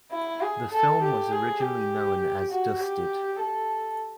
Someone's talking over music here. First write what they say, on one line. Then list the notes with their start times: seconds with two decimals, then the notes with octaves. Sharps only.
The film was originally known as "Dusted".
0.12 E4
0.42 G#4
0.72 A4
1.02 G4
1.32 G#4
1.61 G4
2.51 F#4
2.81 G4
3.40 A4